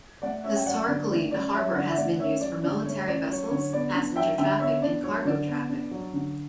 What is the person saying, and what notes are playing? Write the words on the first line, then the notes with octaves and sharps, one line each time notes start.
Historically, the harbour has been used for military vessels, passenger traffic and cargo traffic.
A3 D5 F#5
C#4 C#5 E5
G5
F#3 D5 F#5
D3 D5
A3 D5
C#4 D5
F#3 C#5 E5
D3 D5 F#5
E5
A3 D5 F#5
C#4 C#5 E5
F#3 D5
D3 D5
A3 C#5
C#4 D5
F#3 C#5
D3 C#5
B3 D5
D4
F#3 E5 G5
D3 E5 G5
B3 C#5 E5
D4 D5
F#3 C#5
D3 D5
B3
D4
F#3
D3